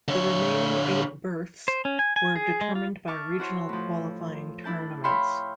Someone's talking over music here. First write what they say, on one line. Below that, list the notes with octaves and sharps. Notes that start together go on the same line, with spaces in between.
The remaining eight berths were determined by regional qualifying tournaments.
D3 C#5
C5
C#4
G#5
G#5
G#4
G#3
F4
E5 A5 C#6 D6 F6
E4 F#4 C5 C#5
A2 F3
D4 E4 A5 G6
C#5 E5 F5 G5 B5 C6